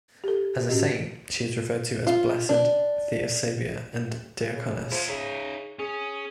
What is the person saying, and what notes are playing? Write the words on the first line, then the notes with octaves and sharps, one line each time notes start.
As a saint she is referred to as Blessed Theosebia the Deaconess.
G4 A4
A2 C#4 F#4 G4 D#5
F4
D4
C#3
F3 E4 C#5
C#3 D#4 E5
C#4 G#4